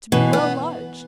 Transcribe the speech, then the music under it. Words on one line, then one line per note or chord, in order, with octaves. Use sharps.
To be well lodged!
B2 E3
B3